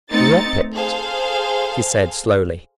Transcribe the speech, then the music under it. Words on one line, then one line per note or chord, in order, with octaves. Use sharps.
"Drop it?" he said slowly ...
A3 C4 D#4 A6 C#7
G#4 A4 C5 F5